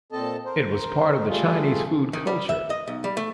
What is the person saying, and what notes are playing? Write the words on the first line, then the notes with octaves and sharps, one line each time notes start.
It was part of the Chinese food culture.
A#2 C4 A4 D#5 A5
A#4 C5
G3 A3 F4 G#4 A4
D#3
G3
E5
D#5
B1
G3
A3